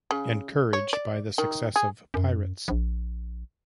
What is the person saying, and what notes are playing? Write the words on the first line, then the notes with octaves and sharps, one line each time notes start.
Encouraged by the success of Pirates!
C#3
C#5
D5
D#3
G#4
F#2
A#1